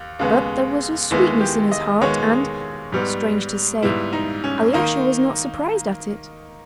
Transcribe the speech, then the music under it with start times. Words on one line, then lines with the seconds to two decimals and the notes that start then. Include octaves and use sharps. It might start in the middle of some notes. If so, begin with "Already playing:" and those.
But there was a sweetness in his heart and, strange to say, Alyosha was not surprised at it.
Already playing: D#2
0.19 D#2 C#3 G#3 B3
1.11 D#2 D#3 G#3 B3 E4
1.41 G4
1.71 D#5
2.01 D#2 D#3 G#3 B3 C#5
2.92 G#2 G3 B3
3.83 G#2 G3 B3 E4
4.13 D#4
4.44 C#4
4.73 D#3 A#3 D#4